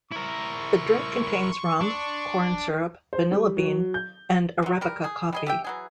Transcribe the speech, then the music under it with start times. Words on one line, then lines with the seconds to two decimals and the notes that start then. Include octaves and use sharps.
The drink contains rum, corn syrup, vanilla bean, and Arabica coffee.
0.12 E4 A#4 C6 C#6
1.81 D4
3.13 C5
3.32 G3
3.57 F#3
3.94 G6
4.63 C3 F#3
4.81 G3 A#4
5.04 G#4
5.33 G3 G#4 D#5
5.46 G4 E5 G5
5.64 E3 F#3 G#4